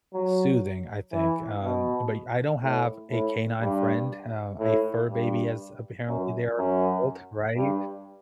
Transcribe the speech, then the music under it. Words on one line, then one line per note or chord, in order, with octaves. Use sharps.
soothing, I think, um, but I don't have a canine friend, uh, a fur baby, as apparently they are called, right?
F#3
E3
B2
A2
A2
G2
A2
G2
F#2
F#2
G2